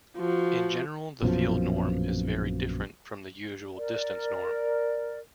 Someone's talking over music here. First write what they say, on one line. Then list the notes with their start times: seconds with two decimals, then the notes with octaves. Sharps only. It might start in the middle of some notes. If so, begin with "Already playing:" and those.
In general, the field norm is very different from the usual distance norm.
0.18 F3 F#4
1.22 A#1 F#2 B2 F3
3.76 A#4 D5